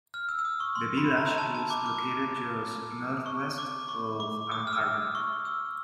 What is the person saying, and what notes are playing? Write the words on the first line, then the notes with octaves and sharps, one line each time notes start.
The village is located just northwest of Ann Arbor.
F6
E6
E6
D#6
C#6
C6
B5
A#5
A5
A5
D6
D6
C#6
D6
C#6
D6
D#6
F6
E6
C#6
E6